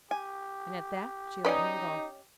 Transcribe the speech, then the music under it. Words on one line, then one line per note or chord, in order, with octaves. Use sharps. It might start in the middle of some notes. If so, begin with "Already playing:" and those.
And at that she let him go.
G4 G#5
C#4 D#4 B4 D5 D#5 G#5